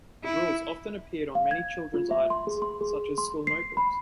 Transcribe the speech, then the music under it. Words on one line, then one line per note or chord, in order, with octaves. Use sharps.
The Rules often appeared on many children's items, such as school notebooks.
E4
F5
G#6
F4
E5
C6
G#4
C6
G#4
C6
C7
B5